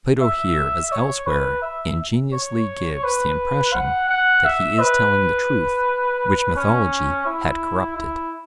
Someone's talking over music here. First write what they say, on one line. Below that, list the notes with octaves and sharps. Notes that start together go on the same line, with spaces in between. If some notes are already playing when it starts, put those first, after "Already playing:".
Plato here, as elsewhere, ingeniously gives the impression that he is telling the truth which mythology had corrupted.
E5
C#5
B4
E5
C#5
B4
F#5
F#5
E5
B4
C#4
E4
E4